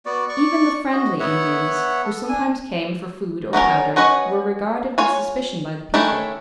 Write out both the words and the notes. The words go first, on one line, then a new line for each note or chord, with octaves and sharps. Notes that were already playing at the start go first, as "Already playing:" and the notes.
Even the friendly Indians, who sometimes came for food or powder, were regarded with suspicion by the people.
B3 F#4 D5
D5 C#6
F#4 D#5
B3 C#5 E5 F#5
A4
D4 G#5
F#3 B3 C#4 A#4
C#4 F#4 B4 C#5 D#5
F4 C#5 G#5
D#3 A3 C#4 D4 E4